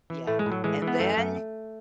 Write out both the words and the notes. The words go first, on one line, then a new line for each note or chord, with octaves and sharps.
Yeah, and then,
E3
A2 A3
G#3
A2
F#3
E3 G#3
E3
B3
F#2 A3
F#2